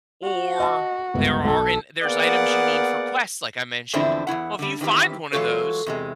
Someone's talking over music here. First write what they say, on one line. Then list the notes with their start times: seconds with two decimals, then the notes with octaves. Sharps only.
Or there are and there's items you need for quests, like I mentioned. Well, if you find one of those,
0.23 F#4
0.60 D#5 A5
1.14 G1 C#2 B3
1.45 B1 A4
2.04 A#3 B3 G#4 D5 F5 F#5
3.93 E2 D3 F3 C4 D4 E4
4.27 E2 G#3 E4 F#5
4.59 D3 G3
4.81 D#3 E3 C4 G4
5.32 E3 F#3 G#3 F4 A4 C#5
5.86 E2 C3 G#3